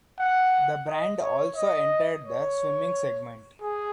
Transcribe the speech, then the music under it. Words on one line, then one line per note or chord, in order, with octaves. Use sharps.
The brand also entered the swimming segment.
F#5
D#5
C#5
D#5
C#5
G#4